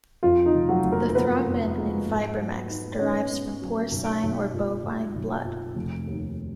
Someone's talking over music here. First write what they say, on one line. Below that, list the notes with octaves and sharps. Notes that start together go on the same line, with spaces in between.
The thrombin in Fibrimex derives from porcine or bovine blood.
F2 F4
D#4
F1
F#3 F#4
F1
A#3 A#4
A#4
F1 B3 B4
F2
G#3
G#2
F#3
D#4
C#4 D#4 C#5
B3
F#3
B1
B1
A#2
A#2
B1
A#2
F1
D#2